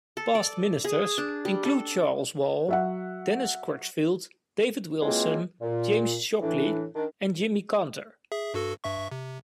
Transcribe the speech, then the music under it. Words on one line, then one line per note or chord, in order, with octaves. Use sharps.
Past Ministers include Charles Wall, Dennis Crutchfield, David Wilson, James Shockley and Jimmy Canter.
A4
D5
G#4
D4
G3
A4
F#3 E5 F#5
E3 F#3 G#3 A#3 C4 F4
A#2
A2 E3 D4
D#3 D4
G#4 E5
G2 F#4 A4
G2 E5 C#6
C3